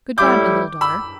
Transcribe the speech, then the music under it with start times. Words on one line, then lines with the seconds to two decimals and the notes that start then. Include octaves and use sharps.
Good-bye, my little daughter.
0.18 A2 G3 E4 D6 G6
0.81 B5 E6